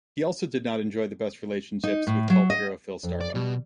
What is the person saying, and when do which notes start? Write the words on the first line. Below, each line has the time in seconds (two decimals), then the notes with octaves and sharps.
He also did not enjoy the best of relationships with cult hero Phil Starbuck.
1.84 D#4
2.07 A2
2.30 F#3
2.50 D#5
3.03 F2
3.21 D5
3.35 B2 G3